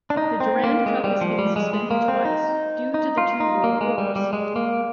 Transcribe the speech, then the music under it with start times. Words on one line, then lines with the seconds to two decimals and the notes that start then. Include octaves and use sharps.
The Durand Cup has been suspended twice, due to the two World Wars.
0.10 D4
0.17 D#4
0.40 C4
0.64 A#3
0.86 G#3
1.04 G3
1.21 F3
1.39 G3
1.56 G#3
1.73 G#3
1.91 A#3
2.08 C4
2.25 D#4
2.94 D#4
3.18 F4
3.40 D#4
3.64 A#3
3.81 G#3
3.98 G3
4.16 G3
4.33 G#3
4.56 A#3